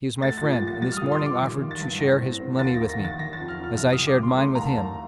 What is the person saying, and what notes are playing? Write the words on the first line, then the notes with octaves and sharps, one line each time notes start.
He's my friend, and this morning offered to share his money with me, as I shared mine with him.
A3 A6
A#2 A6
A6
A#2
A6
G3 A6
F6
A#2 D#6
C6
G3 D6
D#3
D#3
A6
G2
A2 A#6
C4
C4
D#2 A6
A#6
A#3
A#6
D#3
A6
D#3 A#6
A6
F2
F6
F2
F6
C2 F6
D#6
C2
D6
C2
C6
A3 C6
D#2 A#5
A5
D#2